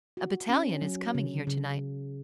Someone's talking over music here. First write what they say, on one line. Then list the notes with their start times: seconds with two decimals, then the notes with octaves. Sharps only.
"A battalion is coming here to-night."
0.17 F#4
0.49 C#4
0.82 F#3
1.15 C#3
1.47 C#3